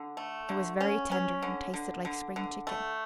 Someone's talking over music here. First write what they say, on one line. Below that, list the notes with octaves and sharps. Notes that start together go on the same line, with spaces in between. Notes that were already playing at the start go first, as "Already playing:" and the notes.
It was very tender and tasted like spring chicken.
Already playing: D3
A3
D3
C#4
C#4
D3
D3
D3
D3
A3